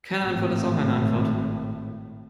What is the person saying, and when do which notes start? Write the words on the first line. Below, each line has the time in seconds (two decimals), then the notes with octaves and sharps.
Keine Antwort ist auch eine Antwort.
0.22 G#1 A2